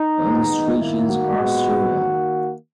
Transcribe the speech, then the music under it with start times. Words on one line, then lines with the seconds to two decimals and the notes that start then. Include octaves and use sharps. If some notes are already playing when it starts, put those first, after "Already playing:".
The illustrations are surreal.
Already playing: D#4
0.19 D#3 G#3 B3
0.78 D#3 A#3 E4
1.07 F#4
1.37 A#2 G#3 B3
1.97 D#3 A#3